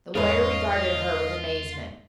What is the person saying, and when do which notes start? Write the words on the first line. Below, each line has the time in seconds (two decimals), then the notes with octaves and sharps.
The lawyer regarded her with amazement.
0.15 E2 G#2 F4 B4 C#5 D#5 F5